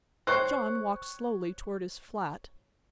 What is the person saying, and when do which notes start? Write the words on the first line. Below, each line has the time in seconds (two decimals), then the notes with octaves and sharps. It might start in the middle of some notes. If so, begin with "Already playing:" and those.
John walked slowly toward his flat.
0.27 C4 C5 C#5 C#6 F#6